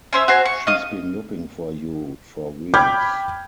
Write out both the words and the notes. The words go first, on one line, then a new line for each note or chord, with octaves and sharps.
She's been looking for you for weeks.
C#4 C5 E5
F#4 C5 G#5 A#5
C#6
D#5 F5 D#6
G5 B5 D6 F6 G6 G#6